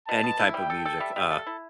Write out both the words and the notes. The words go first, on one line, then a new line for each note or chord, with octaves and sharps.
any type of music. Uh,
B2 A5
B2
E4
G3 G5
A4
A4
G3 E5
G3
A4
E4